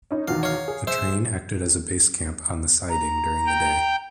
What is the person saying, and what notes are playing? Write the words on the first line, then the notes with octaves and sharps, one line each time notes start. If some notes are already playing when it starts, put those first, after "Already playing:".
The train acted as a base camp on the siding during the day.
C#4 D#4
E2 B2 D#3 F5
C#5 F5
G#4
C5 E5
A#5
G5